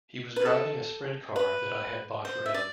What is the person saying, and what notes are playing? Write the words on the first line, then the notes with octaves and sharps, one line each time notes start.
He was driving a sprint car that I had bought for him.
B4
A4
B4
C5
E5
D5